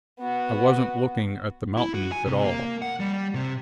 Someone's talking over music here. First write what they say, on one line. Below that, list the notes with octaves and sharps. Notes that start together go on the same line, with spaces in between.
I wasn't looking at the mountain at all.
B3 F#4
E4
F#4
G#5
C3
A#3
F#5
G3
C3